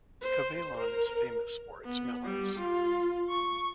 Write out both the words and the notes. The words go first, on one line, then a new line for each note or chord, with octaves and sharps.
Cavaillon is famous for its melons.
C5
A#4
B3
G3
F4
C#6